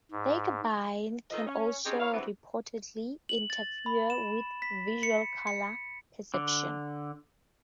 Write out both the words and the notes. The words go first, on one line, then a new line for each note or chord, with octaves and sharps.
Tiagabine can also reportedly interfere with visual color perception.
G#2
D#3 F3 A4 B4 D#5
C#4
C4 C#4 D#4 G4 G#4
B2 E4 C#5 F5
G2 C#3 E3 B3 C4 E4
F#7
A6
B5
E7
B6
C#7
C#7
D3